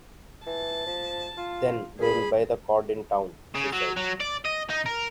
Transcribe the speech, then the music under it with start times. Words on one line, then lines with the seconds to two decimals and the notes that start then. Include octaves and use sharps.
"Then we will buy the cord in town," she said.
0.46 E3 A5
0.87 F3
1.37 F4
1.99 G2 G#4 B5
3.55 C#3
3.73 F#3
3.97 F#3
4.21 D5
4.45 D#5
4.70 D#4
4.86 A#4